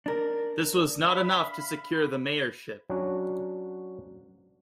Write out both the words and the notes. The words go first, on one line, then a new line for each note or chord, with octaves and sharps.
This was not enough to secure the mayorship.
D4 A#4
E5 F5 B5
F#3 C#4 D4 F#4